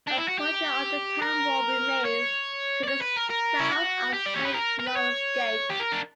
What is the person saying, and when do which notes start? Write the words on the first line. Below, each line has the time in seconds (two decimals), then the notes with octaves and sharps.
A portion of the town wall remains to the south of Saint Laurence's Gate.
0.08 D4
0.17 E4
0.28 F#4
0.39 G4
1.22 A#4
2.05 C#5
2.84 D5
2.88 C#5
3.02 B4
3.17 A#4
3.30 A#4
3.60 E4
3.71 F#4
4.13 G4
4.26 D5
4.36 C#5
4.45 B4
4.54 A#4
4.80 A#4
4.87 B4
4.96 C#5
5.70 G4
5.80 A#4
5.92 D4